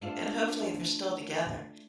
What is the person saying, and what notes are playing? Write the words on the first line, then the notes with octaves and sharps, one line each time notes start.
and, hopefully, they're still together,
A3 D4 F4 A4 C5